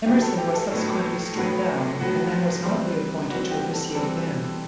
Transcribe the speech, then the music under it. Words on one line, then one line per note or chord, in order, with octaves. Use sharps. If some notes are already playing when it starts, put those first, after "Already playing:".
Emerson was subsequently stood down, and then was not reappointed to officiate again.
A2 F#3 B3 G4
A4
G4
A4
A2 F#3 B3
A2 F#3 B3
A2 F#3 B3 F#4
E3 G3 C4
E3 G3 C4 F#4
G4
A4
E3 G3 C4 A4